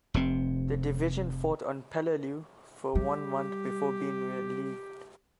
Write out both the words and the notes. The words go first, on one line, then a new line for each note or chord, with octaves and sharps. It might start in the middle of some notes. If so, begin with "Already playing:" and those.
The division fought on Peleliu for one month before being relieved.
F1 C3 C4
G3 G4